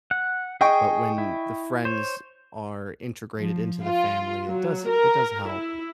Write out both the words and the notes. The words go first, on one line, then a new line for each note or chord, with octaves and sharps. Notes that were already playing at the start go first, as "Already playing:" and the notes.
but when the friends are integrated into the family, it does it does help.
F#5
G#4 D#5 G5 C#6
E4
C5 C#5
F3
F4
F#3
A#4
E4